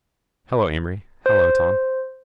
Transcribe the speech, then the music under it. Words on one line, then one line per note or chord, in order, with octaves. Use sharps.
"Hello, Amory--hello, Tom."
C5